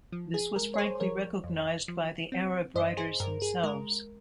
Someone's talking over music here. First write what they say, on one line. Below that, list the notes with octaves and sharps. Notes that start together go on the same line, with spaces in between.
This was frankly recognised by the Arab writers themselves.
F3
G#4
G#3 A#4
C#5
G#4 C5
F3 A#4 C#5
F2
F3
C4
G2 C5 D#5
G#4 C5
G2 A#4
G#4
G#3 A#4